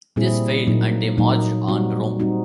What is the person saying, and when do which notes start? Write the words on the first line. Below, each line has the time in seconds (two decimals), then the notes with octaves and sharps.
This failed and they marched on Rome.
0.16 A#2 G3 C4 E4 G#4
0.67 A#2 F#3 A#3 D#4
1.18 A#2 F#3 A#3 D#4
1.68 G3 C4 D#4 F#4
2.19 G3 C4 D#4 F#4